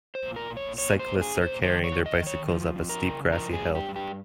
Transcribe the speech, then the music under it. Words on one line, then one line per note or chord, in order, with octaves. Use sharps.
Cyclists are carrying their bicycles up a steep grassy hill.
C5
A#2
A#4
A#2
C#5
A#2 C#5
C5
A#2
G#4
A#2
C5
D#3 C5
C#5
D#3
D#5
D#3
C#5
F3
F2
A#4
C#3
F3 A#4
G#4
G2
G4
G2
G4